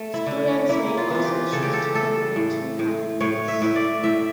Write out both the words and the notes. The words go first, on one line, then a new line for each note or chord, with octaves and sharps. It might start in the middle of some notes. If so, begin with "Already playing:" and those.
Students may also choose to combine two pathways.
Already playing: A3
E4
D3
A#3 E4
F4
E3 F4
G4
C#3 A4
G4
A4
A3 A4
A2
A2
A2 C#5
E5
A2 E5
D5
A2 E5